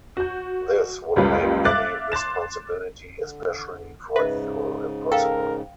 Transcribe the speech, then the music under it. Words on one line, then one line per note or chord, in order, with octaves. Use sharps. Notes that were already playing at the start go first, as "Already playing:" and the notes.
This would make any responsibility, especially for evil, impossible.
F#4 G6
F#1 C#2 G3 A#3 F4 B4
E5 F5 D6 F#6 A6
C6 F#6 A6 E7
D3
G#2 C#3 B4 D#5 E5
A4 A#4 F5 G5